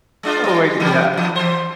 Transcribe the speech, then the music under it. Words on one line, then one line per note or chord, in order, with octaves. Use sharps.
Oh my g Yeah.
G#3 D4 F4
G3
E3 F#3 G3
G2 E3
E3 C5